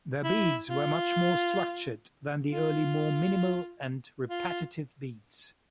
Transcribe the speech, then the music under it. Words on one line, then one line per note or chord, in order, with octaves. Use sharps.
Their beats were much more structured than the early more minimal and repetitive beats.
E4
F4
F4
F4